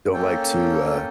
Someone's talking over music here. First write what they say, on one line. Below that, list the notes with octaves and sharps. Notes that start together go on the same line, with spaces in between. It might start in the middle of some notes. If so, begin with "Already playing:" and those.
don't like to, uh
A#3 C#4 A4 G5